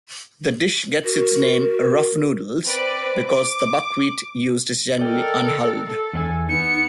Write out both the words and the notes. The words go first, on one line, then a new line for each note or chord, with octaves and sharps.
The dish gets its name "rough noodles" because the buckwheat used is generally unhulled.
F#4 A#4
C4 B4 D5 D7
D6
A4 A#4 D5 D#5 G5
A4
E2 D4 G#5
B3 D#4 C#7